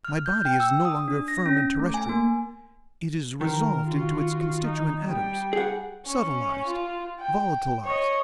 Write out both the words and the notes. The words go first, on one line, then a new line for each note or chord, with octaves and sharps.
My body is no longer firm and terrestrial; it is resolved into its constituent atoms, subtilised, volatilised.
F6
G6
G5
E6
D#6
D4
A#6
C#4
A3
G#5
A#3
D#3 A#4
F4 F#4
D#4
G3 G5
G#4 F#5
C#4
F4
G5
C#5 D#5